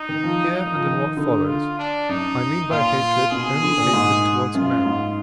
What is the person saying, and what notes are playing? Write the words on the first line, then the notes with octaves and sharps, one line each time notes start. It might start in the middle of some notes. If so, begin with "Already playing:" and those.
Here, and in what follows, I mean by hatred only hatred towards men.
Already playing: D#4
D#3
F3
D#4
F3
D#3
D3 D#4
F4
D4
F#2 D#4
A#2 F4
B2 G#4
D3
A#2
G#2
F#2 F4
G#2